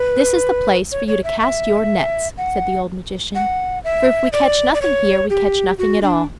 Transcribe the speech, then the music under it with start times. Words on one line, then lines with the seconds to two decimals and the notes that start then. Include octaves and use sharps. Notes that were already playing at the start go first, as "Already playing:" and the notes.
"This is the place for you to cast your nets," said the old magician; "for if we catch nothing here we catch nothing at all."
Already playing: B4
0.92 C#5
1.08 C#5
1.24 E5
1.41 E5
2.38 F#5
3.35 F#5
3.84 E5
4.33 D5
4.74 D5
4.82 C#5
5.30 G4
5.79 F#4
6.03 D4